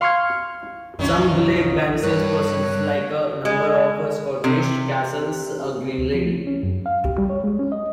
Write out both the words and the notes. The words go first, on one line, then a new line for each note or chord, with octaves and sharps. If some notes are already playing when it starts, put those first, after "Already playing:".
Some believe Wemyss possesses, like a number of Scottish castles, a "Green Lady".
F5 C6 C#6 F6 G#6
C2 F#2 D#3 C#4 F4
G2 A#4 C#5 F#6
G#3
C3
D2
F3
C#4
F#2
F5
G4
G3
C#5
G#3
C#4
D#5